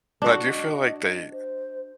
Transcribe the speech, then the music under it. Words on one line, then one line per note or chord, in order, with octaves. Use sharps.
But I do feel, like, they
D4 F#4 A4
D#5
C5